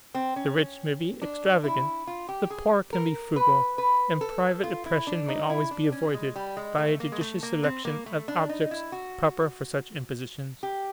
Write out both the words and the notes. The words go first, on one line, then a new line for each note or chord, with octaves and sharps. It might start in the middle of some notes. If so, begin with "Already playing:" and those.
The rich may be extravagant, the poor can be frugal; and private oppression may always be avoided by a judicious selection of objects proper for such impositions.
C4
C#4
D4
E4
F4
G4
G#4
A#4
B4
B4
A4
F4
E4
D4
D#4
E4
D4
C#4
G#3
G3
G#3
A3
A#3
G#3
A3
A#3
C4
A#3
A3
D4
D#4
E4
F#4
G4